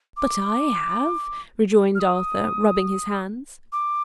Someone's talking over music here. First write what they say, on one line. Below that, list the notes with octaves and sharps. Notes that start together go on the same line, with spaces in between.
'But I have,' rejoined Arthur, rubbing his hands.
D6
F6
D#6
D6